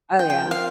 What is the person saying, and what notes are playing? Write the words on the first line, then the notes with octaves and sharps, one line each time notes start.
Oh, yeah.
F3 G5
G5
C4 F4 A#4
F5